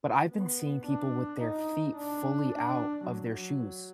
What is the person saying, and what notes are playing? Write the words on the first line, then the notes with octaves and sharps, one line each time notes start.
but I've been seeing people with their feet fully out of their shoes.
B3
D4
D#4
D4
D4
F#3